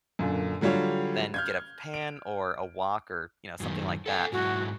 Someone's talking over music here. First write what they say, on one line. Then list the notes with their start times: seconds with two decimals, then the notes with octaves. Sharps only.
then get a pan or a wok or, you know, something like that,
0.19 F#2 A#2 D3
0.61 D3 F#3 G3 F4 C#5
1.34 F6 G6 G#6
1.94 D7
3.60 F#2 A2 D#3
4.06 A4 F#5 G#5
4.32 G#2 F#3 E4 F#4